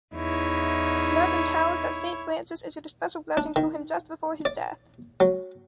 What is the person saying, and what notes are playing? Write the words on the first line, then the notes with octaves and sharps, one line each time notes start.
Legend tells that St. Francis issued a special blessing to him just before his death.
E2 D#4 E4 C#5
D4
D#3
D5
F#3